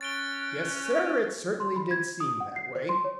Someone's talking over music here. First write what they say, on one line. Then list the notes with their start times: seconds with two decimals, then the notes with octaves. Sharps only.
Yes, Sir, it certainly did seem that way.
0.01 C#4 F#6 A6 D7 G7
1.60 C6
1.76 B5
1.91 G#6
2.20 D#6
2.40 F#5
2.56 C7
2.75 C5
2.89 C6
3.04 C#5